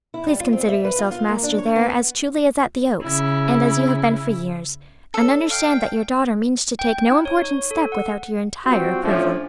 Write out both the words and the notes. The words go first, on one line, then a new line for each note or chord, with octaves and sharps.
"Please consider yourself master there as truly as at the Oaks, and as you have been for years; and understand that your daughter means to take no important step without your entire approval."
E4
G3
F4
C4
E5
B4
F4
F4
A#3
D4
C#5
B3
C#3 E4
F#3 A4
D5 F5 G5
G5
D#4
C#5
C#5
A4
F#5
G3 C4 F4 F#4
A2 F3 A3 C#4 D4